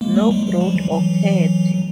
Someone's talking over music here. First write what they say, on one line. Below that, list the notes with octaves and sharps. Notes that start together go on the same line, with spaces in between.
No growth occurred.
G#3 A#3
G3 A3
F#3 G#3
F#3 G#3
F3 G3
E3 F#3
E3 F#3
F#3